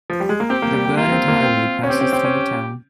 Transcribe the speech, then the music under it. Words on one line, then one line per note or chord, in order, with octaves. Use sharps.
The Burnett Highway passes through the town.
F3
G3
G#3
A#3
C4 G4
A#3
G3
G3
A#3 F4
C4
A#3
C4
C#4
C4 G4
C4
C4
C#4